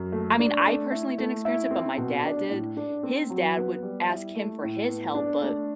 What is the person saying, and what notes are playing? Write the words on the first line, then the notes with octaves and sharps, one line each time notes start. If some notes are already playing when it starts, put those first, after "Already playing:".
I mean, I personally didn't experience it, but my dad did. His dad would ask him for his help, but
Already playing: F#2
A3
D4
A3
E4
A3
E4
C4
B2
D4
A2
D4
C4
F#3
B3
G3
E4
A3
A2
B3
D4
A3